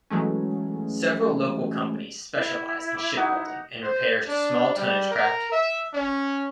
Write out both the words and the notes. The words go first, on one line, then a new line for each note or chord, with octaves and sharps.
Several local companies specialise in shipbuilding and repairs to small tonnage craft.
E3 F#3 G#3 A3 C#4
E4
D6 E6
D#4 F#4 F#5
C5
D4
G3
A#4
E5
C#4